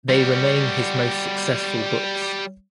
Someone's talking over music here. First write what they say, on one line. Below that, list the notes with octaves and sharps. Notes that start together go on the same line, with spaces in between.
They remain his most successful books.
G3 F#4